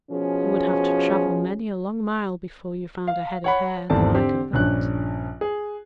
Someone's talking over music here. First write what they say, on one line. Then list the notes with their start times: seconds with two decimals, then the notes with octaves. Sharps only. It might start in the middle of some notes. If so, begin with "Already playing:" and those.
You would have to travel many a long mile before you found a head of hair the like of that.
0.11 B2 F3 C#4 G#4
3.07 F5
3.44 C#5 F#5 B5
3.90 G#1 E2 G3 A3 C4 A5
4.14 D3 C4 G4
4.53 A#1 G2 C#4 F#6
5.41 G#4